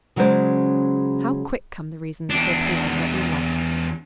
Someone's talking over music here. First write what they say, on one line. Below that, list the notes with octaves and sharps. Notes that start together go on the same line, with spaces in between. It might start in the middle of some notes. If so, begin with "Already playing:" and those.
How quick come the reasons for approving what we like!
C#3 F#3 G#3 C#4 C5 D5
E2 D4